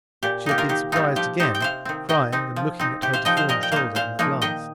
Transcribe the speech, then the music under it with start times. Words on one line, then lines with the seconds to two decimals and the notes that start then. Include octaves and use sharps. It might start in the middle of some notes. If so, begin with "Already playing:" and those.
She had been surprised again, crying and looking at her deformed shoulder in the glass.
0.23 A#2 G4
0.46 A#3 D#4 G4
0.58 F4 A#4
0.69 D#3 G4
0.92 G3 C4 D#4 F4
1.16 F3 G4
1.40 C4 D#4 G4
1.55 G5
1.60 C3 C5 F5
1.85 D#3 C4
2.09 D#3 D#5 G5
2.32 C4 D#4
2.56 F3
2.79 C4 D#4
3.02 C3 G4
3.13 C5 F5
3.25 F3 D#4 D#5 G5
3.37 C5 F5
3.49 A#2 A#4 D#5
3.63 G5
3.72 A#3 D#4 C5 F5
3.95 A#2 C5 F5
4.19 F3 A#3 D#4
4.42 D#3 D#5 G5